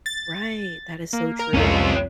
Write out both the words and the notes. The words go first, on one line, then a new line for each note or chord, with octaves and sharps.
Right, that is so true.
A6
A#3
A#4
C2 F2 C#4 F4